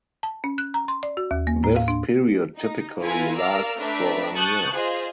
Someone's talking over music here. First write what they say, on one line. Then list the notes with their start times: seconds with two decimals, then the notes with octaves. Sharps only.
This period typically lasts for one year.
0.23 A5
0.44 C#4
0.58 F#6
0.74 A#5
0.88 C6
1.03 D5
1.17 F#4
1.31 D#2
1.47 A#3
1.64 A2
1.76 F5
1.88 D4
2.56 D#4
3.00 E4 F4 A4 B4 G#5 A#5
3.36 A#4 D5 F5 A#5 E6 F6
3.77 A3 D4 B4 E5 A#5
4.33 A5 C#6 D#6 F#6 G6
4.71 F4 G#4 C5 D#5